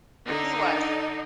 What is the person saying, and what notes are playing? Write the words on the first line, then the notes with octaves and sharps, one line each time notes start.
he was.
D3 D#4